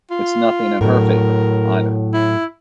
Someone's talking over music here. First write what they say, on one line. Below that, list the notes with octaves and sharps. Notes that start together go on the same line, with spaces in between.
It’s nothing in her favour, either.
F4
A2 F#3 A#4
E4